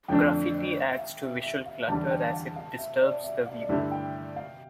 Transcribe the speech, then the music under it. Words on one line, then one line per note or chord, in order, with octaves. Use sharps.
Graffiti adds to visual clutter as it disturbs the view.
F2 D3 A3 D4 G5
E5
F5
E5
E5
F5
E2 D3 G3 A5
G5
F5
F5
E5
D5
E5
F5
D5
G2 D3 A3 E4 G4 E5
G5
F5